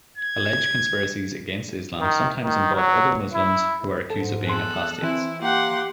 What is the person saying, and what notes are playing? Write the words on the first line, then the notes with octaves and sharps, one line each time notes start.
Alleged conspiracies against Islam sometimes involve other Muslims who are accused of being apostates.
G#6
D#3
D#3
F#3
E4
G#2 A4
E2 G#4 A4 C6 F#6
E3 C4 E4
A#3 G4 F#5 C6